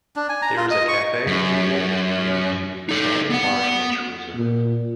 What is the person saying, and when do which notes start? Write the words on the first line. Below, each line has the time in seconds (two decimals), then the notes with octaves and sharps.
There is a cafe in the village near to Stanley Marsh nature reserve.
0.16 D4
0.29 G#5
0.42 A#5
0.57 F4
0.71 D#5
0.88 C#6
1.27 F#2
2.89 D#4 A4
3.30 B3 F#5
4.36 A#2